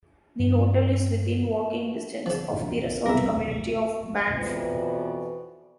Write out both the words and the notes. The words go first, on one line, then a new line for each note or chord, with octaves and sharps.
The hotel is within walking distance of the resort community of Banff.
G2
C#3 F3
C2 B3 G#4 A#4 B4 E5
F2 B2 E3 F#4 B4 D5